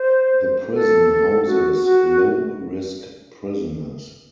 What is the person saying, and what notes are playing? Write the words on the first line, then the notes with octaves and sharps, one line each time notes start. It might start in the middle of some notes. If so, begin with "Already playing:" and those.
The prison houses low risk prisoners.
Already playing: C5
A4
F#4
F#4